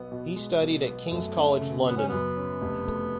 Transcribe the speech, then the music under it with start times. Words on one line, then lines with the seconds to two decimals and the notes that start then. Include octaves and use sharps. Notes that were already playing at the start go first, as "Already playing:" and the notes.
He studied at King's College London.
Already playing: B1 B3
0.12 B2
0.36 G#3
0.61 B1
0.86 B3
1.11 F#2 A3
1.36 C#4
1.61 C#3
1.86 F#3 B3
1.97 C#4
2.09 F#2 B3
2.37 C#4
2.62 F1
2.87 A3